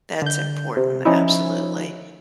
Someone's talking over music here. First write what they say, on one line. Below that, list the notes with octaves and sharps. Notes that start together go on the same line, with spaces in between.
That's important, absolutely.
D3 G6
C3
F3 C#4 D#4 E4